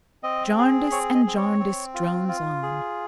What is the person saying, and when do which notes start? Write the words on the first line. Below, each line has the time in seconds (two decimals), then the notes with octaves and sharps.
Jarndyce and Jarndyce drones on.
0.23 C4 D#5
0.57 G#4
0.92 C4 C#5
1.15 D#5
1.26 C4
1.37 C#5
1.60 C4
1.94 F4
2.28 F4
2.63 G#4